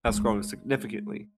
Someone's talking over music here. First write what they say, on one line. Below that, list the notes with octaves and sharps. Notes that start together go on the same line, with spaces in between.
has grown significantly.
G#3